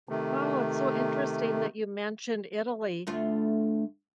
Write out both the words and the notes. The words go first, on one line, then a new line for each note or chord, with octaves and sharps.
Wow, it's so interesting that you mentioned Italy
C3 D#3 A3
D2 A3 F4